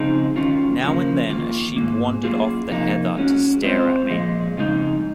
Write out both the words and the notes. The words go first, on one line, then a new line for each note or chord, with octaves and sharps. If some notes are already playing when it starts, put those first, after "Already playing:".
Now and then a sheep wandered off the heather to stare at me.
Already playing: C#3 F3 G#3 C4 D#4
D#3 F#3 C#4 F4
C#3 F3 A#3
D#3 A#3 F4
G#2 D#3 A#3
F#2 F3 A#3 F4 G#4
F2 C3 F3 A#3 D#4
G#3 C#4 F#4
G#3 C4 F4 C5
A#2 F3 G#3
F2 C#3 G#3 D#4